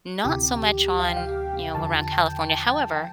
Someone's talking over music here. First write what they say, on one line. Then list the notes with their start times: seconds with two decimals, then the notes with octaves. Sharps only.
not so much on, you know, around California. However,
0.24 D2 C3 E3 G4
1.00 F5
1.08 G5
1.17 F5
1.74 E2 D3 F3 A5
2.12 G5
2.50 A5
2.68 G5